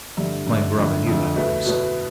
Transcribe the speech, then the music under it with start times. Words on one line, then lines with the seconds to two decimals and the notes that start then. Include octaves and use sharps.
My brother knew that place.
0.17 G2 D3 A3
0.47 G2 D3 A3
0.77 F2 D3 A3
1.07 F2 D3 A3
1.35 B2 A3 E4 B4
1.65 B2 A3 E4 B4